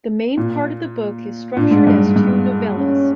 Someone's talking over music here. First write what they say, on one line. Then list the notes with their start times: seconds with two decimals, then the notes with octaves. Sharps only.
The main part of the book is structured as two novellas.
0.38 A#2
1.57 A#2 D4
1.71 G#2
1.87 G2
2.16 G2
2.76 C#4